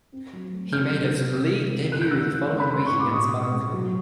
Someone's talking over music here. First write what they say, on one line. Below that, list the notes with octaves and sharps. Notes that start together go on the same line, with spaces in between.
He made his League debut the following week against Barnsley.
C4
F#3
A3
F#3 F6 G6
C3
C3
C4
D3
C4
E3 F#6
G6
E3 E6 F#6
E3
G#3
B5
G#3 C6
C#6
A2
D6
B2 C#6 D#6
G#3
G#3
F#3